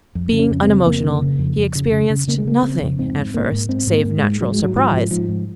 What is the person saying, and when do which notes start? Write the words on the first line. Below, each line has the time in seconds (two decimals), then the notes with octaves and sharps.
Being unemotional, he experienced nothing at first, save natural surprise.
0.15 F2
0.33 C#3
0.39 C#4
0.51 F2
0.63 C4
0.68 C#3
0.86 F2 A#3
1.04 C#3
1.22 C#3
1.39 F2
1.57 F2
1.75 C#3
1.92 C#3
2.10 C#3
2.27 C#3 A#3
2.38 G#3
2.45 C#3 A#3
2.63 C#3 C4
2.81 F2
2.99 G#2 C4
3.16 G#2
3.34 G#2 A#3
3.52 G#2
3.69 G#2 C4
3.87 G#2
3.93 A#3
4.05 G#2
4.17 G#3
4.23 G#2
4.40 G#2 F#3
4.52 G#3
4.59 G#2
4.64 F#3
4.76 G#2 F3
4.83 F#3
4.91 G#2 F3
5.11 G#2 F3
5.29 G#2